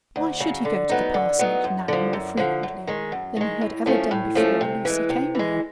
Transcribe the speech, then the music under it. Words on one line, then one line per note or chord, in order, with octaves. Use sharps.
Why should he go to the parsonage now more frequently than he had ever done before Lucy came there?
D2
C#3 F#3
D3
F#3 B3 D#4
D3
F#3 B3 D#4
F#2
D3 F3
F#2
D3 F3
F#2
D#3 G#3
F#2
D#3 G#3
A2
F3 A3 C#4
A2
F3 A3 C#4
C3
E3 G#3
C3
E3 G#3